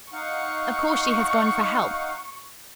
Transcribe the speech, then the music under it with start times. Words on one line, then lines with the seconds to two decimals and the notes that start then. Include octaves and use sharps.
Of course she has gone for help.
0.13 D#4 F5 F#5 C#6